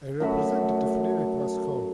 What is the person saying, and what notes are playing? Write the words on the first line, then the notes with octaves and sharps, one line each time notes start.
A representative lyric was Ho!
F#2 A3 F#4 B5